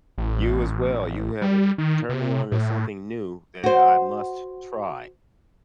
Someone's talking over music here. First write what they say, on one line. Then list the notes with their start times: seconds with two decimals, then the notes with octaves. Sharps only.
You as well. You have, uh turned me on to something new and I must try.
0.18 A1
1.42 G3
1.78 D#3
2.09 C3
2.52 A2
3.64 F#4 C5